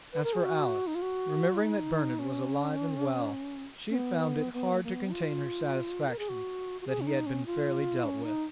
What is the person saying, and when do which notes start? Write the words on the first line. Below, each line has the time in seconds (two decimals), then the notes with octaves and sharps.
As for Alice, remembering that Bernard was alive and well, she found it hard to contain her satisfaction that he had been fairly dealt with.
0.13 B4
0.24 A#4
0.33 G#4
0.44 F#4
0.87 D#4
0.95 F4
1.02 F#4
1.61 D#4
2.19 C#4
3.90 C#4
3.95 B3
4.53 B3
4.73 A#3
4.84 A#3
4.92 B3
5.12 F4
6.09 A#4
6.19 G#4
6.29 F#4
6.81 F#4
6.87 G#4
7.01 C#4
7.07 D#4
7.26 C#4
7.46 F4
8.04 C#4
8.24 D#4